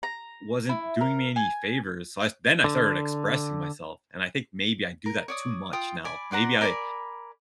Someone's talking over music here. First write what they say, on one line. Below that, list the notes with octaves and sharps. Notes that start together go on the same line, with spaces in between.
wasn't doing me any favors. So, I s then I started expressing myself and I think maybe I do that too much now. Maybe I
A#5
E4
A#4
G#5
D3
A#4
C#5 D5 D#6
F4 G5 D#6
D5 G#5 B5
C5 D5 F#5 A#5
A#4 D5 G#5 B5